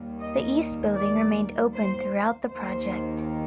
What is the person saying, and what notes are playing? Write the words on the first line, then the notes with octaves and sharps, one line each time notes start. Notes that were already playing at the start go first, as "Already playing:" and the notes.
The East Building remained open throughout the project.
Already playing: D#2 D#3 G3 A#3
D#5
D5
C5
D#2 D#3 A#3 C5